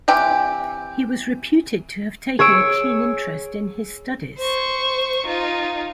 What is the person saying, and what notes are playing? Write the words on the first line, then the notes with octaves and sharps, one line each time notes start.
He was reputed to have taken a keen interest in his studies.
C3 E3 G4
G#4 C#5 E6 D7
C5 C#6
D#4 F4